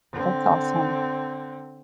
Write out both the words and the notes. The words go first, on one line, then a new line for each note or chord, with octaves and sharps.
That's awesome.
D3 C4